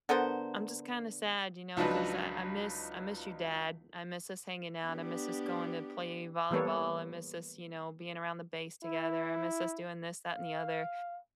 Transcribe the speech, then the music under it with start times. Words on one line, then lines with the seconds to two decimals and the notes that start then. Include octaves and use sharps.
I'm just kinda sad, you know, 'cause I I miss I miss your dad, I miss us hanging out, I miss us going to play volleyball, I miss us, you know, being around the base together, I miss us doing this, that and the other,"
0.09 D3 B3 A#4 C5
1.77 C#2 F3 F#3 D4 D#4 B4
4.85 B3 D4 G4
6.51 E3 G3 A#3 B3 A4 C#5
8.83 E4
10.29 F5